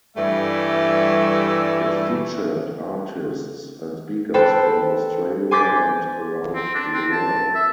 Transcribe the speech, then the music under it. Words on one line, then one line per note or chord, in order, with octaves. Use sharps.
It featured artists and speakers from Australia and around the world.
G2 E3 G3 A3 E5
A4 B4 C5 G5 B5
G#5 C6 D6 G6 A6 B6
C4
D4
C4
A5
E5